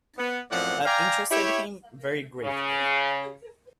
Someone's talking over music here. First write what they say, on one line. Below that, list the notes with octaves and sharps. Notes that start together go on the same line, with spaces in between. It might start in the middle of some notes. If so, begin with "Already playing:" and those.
That interested him very greatly.
B3
F#2 A2 F3 C4 D5 F#5
D5 F5 G5 G#5 A#5
E4 G4 C#5
C#3